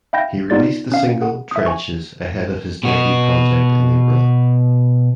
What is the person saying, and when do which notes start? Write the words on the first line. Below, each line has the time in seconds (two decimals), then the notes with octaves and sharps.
He released the single "Trenches" ahead of his debut project in April.
0.13 E5 F5 G5 B5 G6 A#6
0.50 B3 D#4 F4 D5 A6
0.92 C#4 F5
1.21 G#4 F#5
1.51 E5 D#6
1.66 G#5 C#6
2.83 B2 F#4